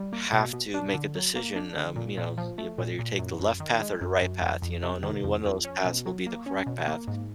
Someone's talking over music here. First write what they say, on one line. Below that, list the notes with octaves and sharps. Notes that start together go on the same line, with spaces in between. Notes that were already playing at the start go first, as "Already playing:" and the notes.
have to make a decision, um, you know, you whether you take the left path, or the right path, you know, and only one of those paths will be the correct path.
Already playing: G3
A#3
B2
B2
D4
D3
F#3
A#3
D4
D3
A#2
A#2
F3
A3
A#2
A#2
F#2
F#2
D#3
G#3
F#2
F#2
F2
F2
C3
D#3
F2
F2
C#4
B2
F#3
A#3
C#4
B2
A#3
G#2